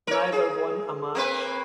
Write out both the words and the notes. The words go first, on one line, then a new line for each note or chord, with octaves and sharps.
Neither won a match.
A#4 C#5
G#4
A#3 C4 B4